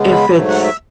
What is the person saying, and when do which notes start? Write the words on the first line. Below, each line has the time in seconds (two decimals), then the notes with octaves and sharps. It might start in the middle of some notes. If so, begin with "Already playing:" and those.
if it's
Already playing: C#3 G#3 B3
0.12 B5
0.34 G#2 F#3 A3
0.49 F#5
0.63 E5